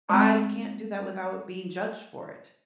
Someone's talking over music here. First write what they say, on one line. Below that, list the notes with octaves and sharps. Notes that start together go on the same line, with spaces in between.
I can't do that without being judged for it.
G#3 C4